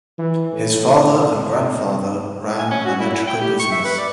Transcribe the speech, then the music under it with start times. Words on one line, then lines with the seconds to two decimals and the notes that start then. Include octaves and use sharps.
His father and grandfather ran an electrical business.
0.18 E3
0.53 A2
2.59 G#5
2.71 C#4
2.85 F#4
3.00 E4
3.13 E4
3.27 G5
3.41 G4
3.59 C#6
3.72 E5
3.84 B4
3.98 D5